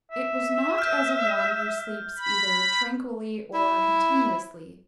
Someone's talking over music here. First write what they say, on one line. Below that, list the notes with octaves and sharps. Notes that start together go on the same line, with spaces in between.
It was not as of one who sleeps either tranquilly, or continuously.
E5
F6 G6
B5
E4